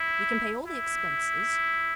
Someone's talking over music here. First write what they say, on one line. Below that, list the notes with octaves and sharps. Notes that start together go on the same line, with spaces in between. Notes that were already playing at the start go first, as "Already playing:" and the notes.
We can pay all the expenses.
Already playing: E4
E4